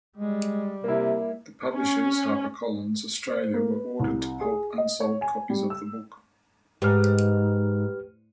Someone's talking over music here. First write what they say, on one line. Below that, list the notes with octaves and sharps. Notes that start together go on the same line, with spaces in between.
The publishers, HarperCollins Australia were ordered to pulp unsold copies of the book.
G3 G#3
C3 A#3 E4
C#4
C5
A#3
B4
C2
G#4
D#5
C#5
G#5
G3
E6
G#2 G4 B4 F6